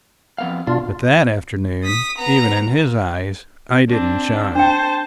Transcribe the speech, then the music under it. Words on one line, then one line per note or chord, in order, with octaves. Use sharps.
But that afternoon, even in his eyes, I didn't shine.
F2 B3 F5
B2 D4 F4
D#6 B6
B3 A#5
C4 D4
D4 C5 G5 A5